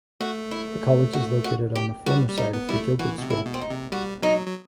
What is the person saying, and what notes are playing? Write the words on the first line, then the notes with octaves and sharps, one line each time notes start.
The College is located on the former site of the Gilberd School.
A3 F#4
E4
F#4
F#4
G4
G3 F#4
G3
D#4
B3
G3 E4
A3
E3 F#4
B2
C3
E4
B2
C4
D#4
C3
G3 F#4
F#3 D#4
F#3